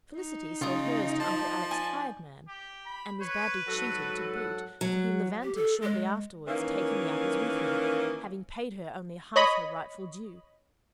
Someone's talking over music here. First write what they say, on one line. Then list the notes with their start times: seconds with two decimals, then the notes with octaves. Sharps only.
Felicity sold hers to Uncle Alec's hired man--and was badly cheated to boot, for he levanted shortly afterwards, taking the apples with him, having paid her only half her rightful due.
0.17 D#4
0.61 C#3 F4 D#6
1.20 F3 A5
1.71 D5 G#5
2.48 G4
2.85 B5
3.21 B4 C#5
3.67 G#2 F#3 F#4 A4
4.35 F#5
4.81 F#3
5.43 G4
5.56 A4
5.82 G#3
6.48 D#3 E3 A#3 C#4
9.36 C#5 D#5 B5